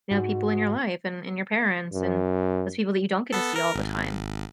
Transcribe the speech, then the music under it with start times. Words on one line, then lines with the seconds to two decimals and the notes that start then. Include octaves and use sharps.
you know, people in your life and and your parents and those people that you don't get to see all the time.
0.11 G#2 F#4
1.93 F#2
3.32 B3 A4
3.56 A#4
3.75 G#1